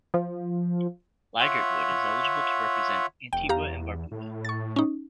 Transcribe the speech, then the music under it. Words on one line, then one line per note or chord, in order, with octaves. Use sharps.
Leigertwood is eligible to represent Antigua and Barbuda.
F3
F4 C#5 E5 F#5
F1 G5
E2 G4 F5 A#5
A2
C#6 A6
C#4 D#4